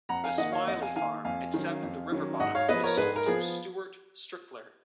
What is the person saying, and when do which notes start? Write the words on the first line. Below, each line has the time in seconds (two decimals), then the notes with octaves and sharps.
The Smilie farm, except the river bottom, was sold to Stewart Strickler.
0.09 F2 F#5 A#5
0.24 F5 G#5
0.38 D#3 A#3 D#5 F#5
0.52 C#5 F5
0.67 F2 D#5 F#5
0.81 F5 G#5
0.96 D#3 A#3 F5 G#5
1.25 F2 F5 G#5
1.54 D#3 F#3 C#4
1.82 F2
2.12 D#3 F#3 C#4
2.40 G#2 D#5 F#5
2.55 C#5 F5
2.69 F3 B3 B4 D#5
2.83 A#4 C#5
2.97 G#2 G#4 B4
3.16 A#4
3.26 F3 B3 G#4